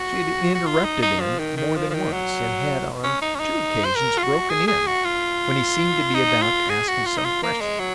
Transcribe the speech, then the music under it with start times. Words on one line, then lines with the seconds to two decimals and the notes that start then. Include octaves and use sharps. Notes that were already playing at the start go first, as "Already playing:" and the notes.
She had interrupted him more than once, and had on two occasions broken in when he seemed to be about to ask me some question.
Already playing: F#4
0.54 F#4
0.66 F4
0.84 D#4
1.02 D#4
1.20 F3
1.39 D#3
1.57 D#3
1.76 F3
1.90 F3
1.94 D#3
2.12 F#3
3.03 C#4
3.22 D#4
3.35 C#4
3.39 D#4
3.85 C5
3.95 A#4
4.18 F4
4.23 F#4
4.50 G#4
4.67 G#4
4.86 F#4
5.04 F4
6.14 D#4
6.42 F4
6.69 G#4
6.88 F#4
7.05 F4
7.17 D#4
7.25 F4
7.43 A#3
7.61 G#3
7.79 F#3